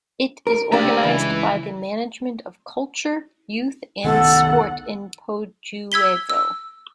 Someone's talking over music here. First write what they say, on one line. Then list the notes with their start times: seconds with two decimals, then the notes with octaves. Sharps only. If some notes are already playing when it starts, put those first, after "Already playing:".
It is organized by the Management of Culture, Youth and Sport in Podujevo.
0.47 A#4
0.72 A3 D4 G4 D5 E5
1.04 C#2 E3 E4
4.05 D#3 B3 A4 F#5
5.92 E6 G#6 B6 G7
6.30 E6